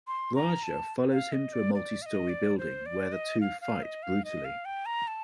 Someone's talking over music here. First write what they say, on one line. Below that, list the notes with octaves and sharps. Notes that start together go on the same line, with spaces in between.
Raja follows him to a multi-story building where the two fight brutally.
C6
A#5
A5
F5
D#5
D5
D5
F5
D#5
D5
C5
D5
D#5
F5
F5
D#5
F5
D#5
F5
G5
A#5
A5